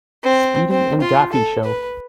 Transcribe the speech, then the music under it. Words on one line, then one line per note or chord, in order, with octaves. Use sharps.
Speedy and Daffy Show.
C4
C4
F4
A4
B4